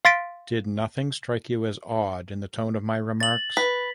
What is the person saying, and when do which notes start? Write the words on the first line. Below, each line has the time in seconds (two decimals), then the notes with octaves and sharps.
Did nothing strike you as odd in the tone of my remarks?
0.05 F5 C6 A6 B6 D7
3.20 A6 F#7
3.57 B4 B6